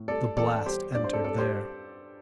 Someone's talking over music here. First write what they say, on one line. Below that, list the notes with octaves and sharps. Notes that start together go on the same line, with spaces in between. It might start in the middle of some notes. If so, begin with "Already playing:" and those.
The blast entered there.
Already playing: A2
G3 A4 D5
E2 A4 D5
G3 G4 C5
G2 D5
C5
A4 D5
G3 A4 D5
G4 C5